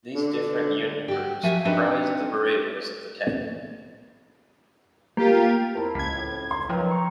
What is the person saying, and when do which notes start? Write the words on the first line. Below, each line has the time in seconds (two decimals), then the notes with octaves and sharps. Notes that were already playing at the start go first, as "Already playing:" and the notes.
These different unit groups comprised the barrios of the town.
0.14 D3 D4
1.08 F#4 G4
1.43 F3 F#4 G4 E5 G#5
1.65 C4 D4 D#4 F#4 B4
5.17 A#3 F4 G4
5.75 C4 E4 A#4 A5
5.95 C#2 G#6 B6
6.13 F2 A2
6.51 C6
6.69 D#3 F3 F#3 B4 G5 F6
6.90 A#5 C#6